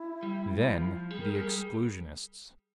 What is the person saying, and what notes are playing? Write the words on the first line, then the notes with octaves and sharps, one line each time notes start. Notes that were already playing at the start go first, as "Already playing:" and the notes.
Then the exclusionists.
Already playing: E4
G3
G3
F3
G3 G#4
A#4
G#4
G#3
G3 A#4
G#4